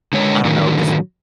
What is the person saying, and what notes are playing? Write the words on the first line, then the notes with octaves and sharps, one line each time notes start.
I don't know, just
D3 G#3 C#5
A2 D3 D#3 F#3